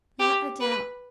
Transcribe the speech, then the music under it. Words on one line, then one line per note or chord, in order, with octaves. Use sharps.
Not a doubt.
G4
B4